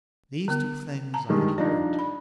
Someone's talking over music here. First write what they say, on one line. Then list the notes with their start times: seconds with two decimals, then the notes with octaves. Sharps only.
These two things I have heard.
0.48 D3 B3
1.14 A5 A#5
1.29 G2 D#3 G#3
1.58 F3 D4 D#4 D#5
1.99 B5